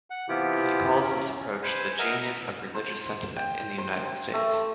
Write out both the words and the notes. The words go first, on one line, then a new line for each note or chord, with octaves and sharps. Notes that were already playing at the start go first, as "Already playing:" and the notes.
He calls this approach the genius of religious sentiment in the United States.
F#5
C3 E3 B3 E4 F4 G4
C#4
B4 C5 G#5
A#4 D#5 E5 F#5 A#5
C5
G5
C5
A3